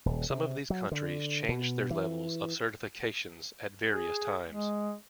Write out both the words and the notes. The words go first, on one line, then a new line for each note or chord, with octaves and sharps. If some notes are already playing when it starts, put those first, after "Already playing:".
Some of the countries changed their levels of certifications at various times.
D#1
C3
F#3
D3
B2
E3
G#4
G#3